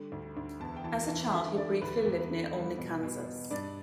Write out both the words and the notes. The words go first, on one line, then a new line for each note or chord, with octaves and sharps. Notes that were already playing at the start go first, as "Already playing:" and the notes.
As a child, he briefly lived near Aulne, Kansas.
Already playing: D3 G3
D2
D2
E2 A5
G5
E3 A5
E3 A5
D3 E5
D3 D5
D2 B4
E2
D3
G3
B2
B2
B2
G2 D5